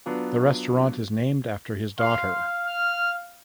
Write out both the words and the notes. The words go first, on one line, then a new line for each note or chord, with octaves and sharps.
The restaurant is named after his daughter.
F#3 B3 D4 F4
F5 C6
F6